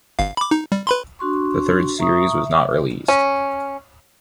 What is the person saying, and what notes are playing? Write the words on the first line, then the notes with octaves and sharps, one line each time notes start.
The third series was not released.
G1 F5
B5 D6
D#4
G3
B4 B5 C6
D4 F#4 C6 C#6
E5 A#5 C#6 D#6
E5
C#4